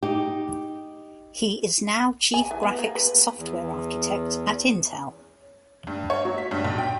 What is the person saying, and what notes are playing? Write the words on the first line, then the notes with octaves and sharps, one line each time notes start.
He is now Chief Graphics Software Architect at Intel.
D#4 G4
G#5
E3
B3
A#3
B4
E2
G2
C#5
F#3
B6
G2
B1
G5